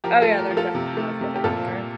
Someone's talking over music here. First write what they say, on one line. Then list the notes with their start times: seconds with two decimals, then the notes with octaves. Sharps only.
Oh yeah, they're definitely not as good anymore.
0.04 F3 G4 A#4
0.22 F4 A4
0.27 A3
0.39 G4 A#4
0.51 F3
0.57 F4 A4
0.75 C3
0.97 A3
1.21 C3
1.36 G4
1.44 A#2 F4 A4
1.68 A#2